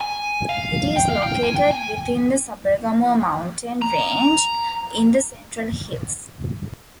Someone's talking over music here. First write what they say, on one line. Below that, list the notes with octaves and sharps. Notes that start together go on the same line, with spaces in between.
It is located within the Sabaragamuwa mountain range in the central hills.
G#5
F5
G5
F5
G5
G#5
G5
G#5
A#5